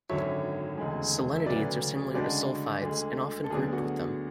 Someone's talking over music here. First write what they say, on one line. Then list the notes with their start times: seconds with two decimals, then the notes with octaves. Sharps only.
Selenides are similar to sulfides and often grouped with them.
0.09 G#1 F#2 D3 F#3 C#5 E5
0.78 E1 D2 C#3 G#3
1.36 E5
1.46 D2 C#3 F#3 B4 D5
2.14 D2 C#3 G#3 D4 F#4
2.82 D2 D3 G#3
3.44 A4
3.50 D2 D3 F#3 B3 D4 G#4
3.73 F#4